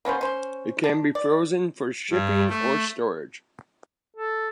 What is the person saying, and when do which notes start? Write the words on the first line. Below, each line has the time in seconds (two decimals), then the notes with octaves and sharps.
It can be frozen for shipping or storage.
0.05 A#3 B3 C#4 C5
0.21 C#4 C5
0.84 D4
1.15 D5
2.11 G2
2.49 A3
4.16 A4